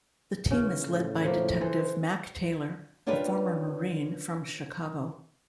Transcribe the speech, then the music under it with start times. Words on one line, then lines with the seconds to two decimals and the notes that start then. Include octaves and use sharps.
The team is led by Detective Mac Taylor, a former Marine from Chicago.
0.51 C#3 E3 C#4
0.87 A2
1.25 F3 A#3
1.61 E3 A4 C5
3.07 C#4 D4 F4 G4 A#4 B4